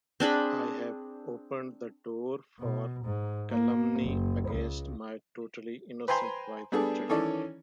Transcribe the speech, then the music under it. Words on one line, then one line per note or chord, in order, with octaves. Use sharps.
I have opened the door for calumny against my totally innocent wife and children.
C4 D4 G#4 B5
B2
G#2
A#3
F#1
C#2
B4 C5 G5 G#5 A#5 C6
G3 B3 D4 G#4 A4
D#3 E3 C#4 A4 C#5 D5